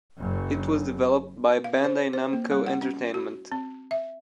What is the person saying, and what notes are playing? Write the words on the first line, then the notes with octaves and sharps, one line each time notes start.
It was developed by Bandai Namco Entertainment.
F#1 F#2
F5
C5
C5
A#3
G3
F#5
C#4
F#4
C4
E5